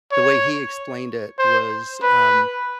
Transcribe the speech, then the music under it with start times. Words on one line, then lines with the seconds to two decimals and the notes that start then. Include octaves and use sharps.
the way he explained it was, um,
0.12 C#5
1.39 C5
2.03 B4